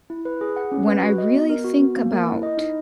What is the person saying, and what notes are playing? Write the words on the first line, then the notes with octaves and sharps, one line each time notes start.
when I really think about
E4
B4
G#4
F#5
C#4
B4
F#4
D#5
B3
A#4
F#4
B3
A#3
A#4
E4
D#5
D#4